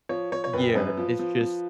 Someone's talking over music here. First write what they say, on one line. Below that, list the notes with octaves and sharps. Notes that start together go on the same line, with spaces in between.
year is just
F3 C#5
F3 C#5
C#5
F#1 B4
F#2 B4
F3
F3
F3